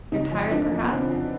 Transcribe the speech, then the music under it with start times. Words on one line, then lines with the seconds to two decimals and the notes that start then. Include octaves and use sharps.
You're tired perhaps?
0.12 C#3 D#4
0.32 F2
0.51 F3 D4
0.71 F2
0.83 B3
0.90 C#3 C4
1.10 F2